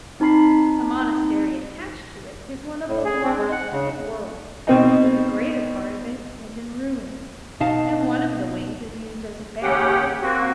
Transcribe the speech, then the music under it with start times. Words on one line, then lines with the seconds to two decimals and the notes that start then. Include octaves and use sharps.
The monastery attached to it is one of the largest in the world, but the greater part of it is in ruins, and one of the wings is used as a barrack.
0.20 C4 D#4 A5 B5 C7
2.87 A2
3.05 G#4
3.24 C4
3.38 G#3
3.52 F#5
3.72 C#3
4.67 B2 C4 D#4
7.60 B2 D#4 F5 A5
9.62 D#2 C#3 C#4 G4 F#5 G5
10.23 A#3 C4 F#4